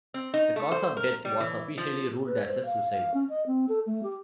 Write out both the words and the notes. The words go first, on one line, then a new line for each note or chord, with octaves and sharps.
The cause of death was officially ruled as a suicide.
C4
D#4
A3
C5
A#4
G3
E3
F3
B4
C5
F5
F5
C#4
D#5
C4
A4
A3
G4